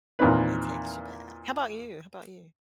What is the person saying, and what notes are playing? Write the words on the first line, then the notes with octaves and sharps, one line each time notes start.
It takes you back. How about you? How about you?
E2 A#2 D#3 C4 B4